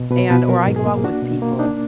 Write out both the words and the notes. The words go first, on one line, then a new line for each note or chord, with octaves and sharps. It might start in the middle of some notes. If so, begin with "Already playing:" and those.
and or I go out with people
Already playing: B2
B2 B4
B2 B4
F#3 A#4
G#2
G#4
A#3
D4 F#4
B2
A#3
D4 D#4